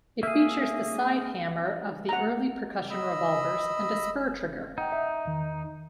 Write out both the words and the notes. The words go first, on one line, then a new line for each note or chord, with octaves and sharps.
It features the side-hammer of the early percussion revolvers and a spur trigger.
A#3 G#4 E5
F#5 A#5
D#5 B5 E6
D#4 F#5 G5
E5
E2 D#3